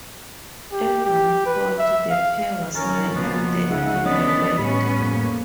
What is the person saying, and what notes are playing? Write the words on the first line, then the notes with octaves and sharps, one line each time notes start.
At one point, the pair was ranked third in the world.
G4
G4
B4
E5
F5
F#3 C#4 A#4 A6
C#2 B2 F3 A#3 B3
C#3 G#3 D#4 E5 F#5
E3 B3 C#4 D4 D#5 A6
A2 G3 B3 C#4 B5
F2 A#3